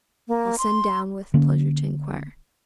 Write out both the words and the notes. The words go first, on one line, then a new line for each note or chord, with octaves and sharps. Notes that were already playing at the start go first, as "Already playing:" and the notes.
I'll send down with pleasure to enquire.'
A#3
C6
D3 A#3 C#4